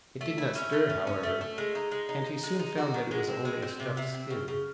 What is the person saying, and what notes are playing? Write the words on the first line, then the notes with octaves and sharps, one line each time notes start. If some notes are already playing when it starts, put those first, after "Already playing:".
It did not stir, however, and he soon found that it was only a stuffed skin.
A3
E4
C#4
A3
C#4
C#4
A3
A3
G#3
D#4
G#3
D#4
D#4
G#3
D#4
F#4
D#3
G#3
C4
G#3
C4
C3
C3
C4
C#3
C#3